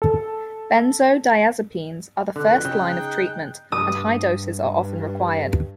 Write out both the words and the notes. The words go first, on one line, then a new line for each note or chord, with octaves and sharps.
Benzodiazepines are the first line of treatment, and high doses are often required.
A4
F2 B2 D3 A4 F#6
C#3 D#4 G#4 G5
G2 D#6